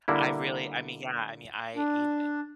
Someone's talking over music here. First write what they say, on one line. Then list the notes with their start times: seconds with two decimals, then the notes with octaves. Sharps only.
I really I mean, yeah, I mean I even
0.08 D3 G3 A#3 E4
1.76 D4